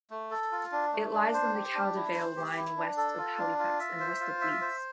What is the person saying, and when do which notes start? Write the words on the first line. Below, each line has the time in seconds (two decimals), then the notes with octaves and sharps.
It lies on the Caldervale Line west of Halifax and west of Leeds.
0.10 A3
0.31 A4
0.52 F4
0.72 D4
0.93 A3
1.13 D4
1.34 C5
1.54 G4
1.74 D4
1.95 E4
2.15 C5
2.36 G4
2.56 E4
2.77 D4
2.97 A4
3.18 F4
3.38 D4
3.59 F4
3.79 E5
4.00 C5
4.20 F4
4.41 E5
4.61 C5